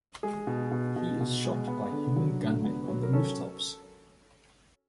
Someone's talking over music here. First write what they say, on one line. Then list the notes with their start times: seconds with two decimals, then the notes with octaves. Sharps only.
He is shot by hidden gunmen on the rooftops.
0.23 G#3 G#4
0.47 B2
0.71 B2
0.96 B2
1.21 B2
1.45 G#3
1.68 B3
1.92 D3
2.16 F#3
2.41 D3
2.64 B3
2.88 F#3
3.03 A#4
3.13 C#4 A4